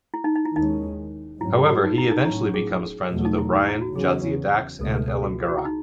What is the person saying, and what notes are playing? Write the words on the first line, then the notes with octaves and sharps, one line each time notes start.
However, he eventually becomes friends with O'Brien, Jadzia Dax, and Elim Garak.
E4
D#4
D#4
E4
D#2 D#3 G#3 C#4 D#4
G#2 F#3 C#4 E4
G#4
F#4
D#4
E4
D#4
A2 F#3 C#4 E4
G#4
E2 B2 F#3 A3
D#4
E4
D#4
E4
F#4
E2 C#3 F#3 C#4 G#4
C#2 B2 A3 A4
B4
A4
F#4
G#4
F#4
E4
D#4